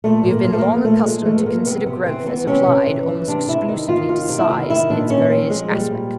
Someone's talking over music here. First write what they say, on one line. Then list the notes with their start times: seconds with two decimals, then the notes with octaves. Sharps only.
We have been long accustomed to consider growth as applied almost exclusively to size in its various aspects.
0.04 A#2 A3
0.24 A#2
0.30 A#3
0.45 F3
0.52 A3
0.58 A#3
0.65 F3
0.85 A#2 A3
1.05 A#2 G#3
1.25 F3 A3
1.37 B3
1.46 F3 A#3
1.66 C3 B3
1.86 C3 B3
2.06 E3 C4
2.26 E3 B3
2.47 C3 C#4
2.67 C3
2.87 E3
3.08 E3
3.28 C3 D4
3.48 C3 E4
3.68 D#3 D#4
3.89 D#3 F4
4.09 C3 F4
4.29 C3
4.39 E4
4.49 D#3 F4
4.70 D#3 E4
4.90 A#2 D4
5.10 A#2 C#4
5.30 F3 C4
5.50 F3 G#3
5.71 A#2 G3
5.90 A#2